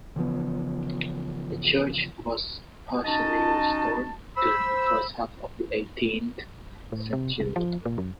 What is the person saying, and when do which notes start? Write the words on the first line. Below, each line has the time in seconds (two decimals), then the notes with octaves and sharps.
The church was partially restored during the first half of the eighteenth century.
0.16 C#3 E3 F3 B3
3.05 C#4 D#4 F#4 D#5 A5
4.37 C5 B5 E6
6.92 A2
7.13 C3
7.40 C2
7.56 F3
7.85 A#2
7.98 F#2